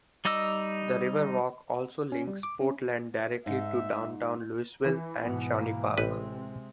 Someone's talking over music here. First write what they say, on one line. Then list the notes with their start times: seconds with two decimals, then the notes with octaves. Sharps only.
The River Walk also links Portland directly to Downtown Louisville and Shawnee Park.
0.25 G3 D#4 D#5 D6 E6
2.12 C#4
2.27 G3
2.43 D6
2.61 C#4
3.46 G#2 D#4 E5
4.85 E3
5.22 G#2 B2 B3
5.58 A#3
5.98 A1 C3 G#3 C4 B4